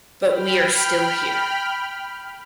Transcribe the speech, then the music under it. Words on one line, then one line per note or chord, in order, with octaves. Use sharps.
But we are still here.
G5 B5 F6